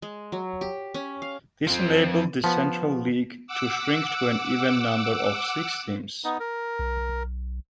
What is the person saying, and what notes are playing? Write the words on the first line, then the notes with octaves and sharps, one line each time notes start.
This enabled the Central League to shrink to an even number of six teams.
G#3
F#3
G4
C#4
F5
F3 C4
F3 B3
F#5 D6 E6
B3 D#4
A#4
B1